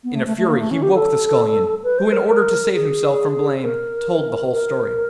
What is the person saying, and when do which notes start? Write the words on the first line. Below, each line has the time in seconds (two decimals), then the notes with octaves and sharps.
In a fury he woke the Scullion, who in order to save himself from blame told the whole story.
0.04 B3
0.15 A3
0.26 A3
0.37 A3
0.48 A#3
0.60 A3
0.71 C#4
0.82 G4
0.94 A4
1.83 B4
1.98 C5
2.13 A#4
2.28 A#4
2.73 G#4
3.63 A#4
4.52 A#4